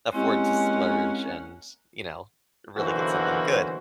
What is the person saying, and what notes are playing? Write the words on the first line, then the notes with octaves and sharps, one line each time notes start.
afford to splurge and, you know, really get something good.
G#3 A#3 C4 C#4 E4 G4 F#5
B1 D3 E3 A#3 F#4 C5